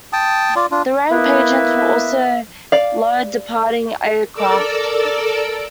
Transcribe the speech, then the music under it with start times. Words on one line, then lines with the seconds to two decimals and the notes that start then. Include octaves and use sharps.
The ramp agents will also load departing aircraft.
0.13 G5 A5 D#6
0.56 F4 D5
0.71 D4 F4
1.10 A#3 B3 E4 B4 D#5 E5
2.72 D5 F5
4.34 A4 A#4 D5 D6 E6